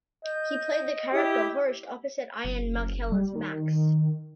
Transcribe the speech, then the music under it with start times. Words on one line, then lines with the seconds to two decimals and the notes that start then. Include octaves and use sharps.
He played the character Horst opposite Ian McKellen's Max.
0.25 D#5 G6
1.12 E4 G4 D6 D#6
2.45 F#1
3.12 G3
3.36 D#3